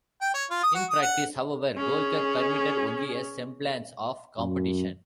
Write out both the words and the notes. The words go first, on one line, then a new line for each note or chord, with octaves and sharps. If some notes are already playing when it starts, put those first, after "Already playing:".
In practice, however, Golkar permitted only a semblance of competition.
G5
C#5
F4
D#6
F#4
D#6
F#5
C#4 G#4
F#2